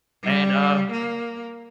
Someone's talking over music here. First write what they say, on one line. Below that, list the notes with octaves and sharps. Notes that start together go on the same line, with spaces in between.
And, uh
G3
A#3